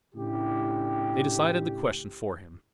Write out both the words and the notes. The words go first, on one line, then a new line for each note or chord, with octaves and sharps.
They decided the question for him.
A2 C#3 D4 E4 G4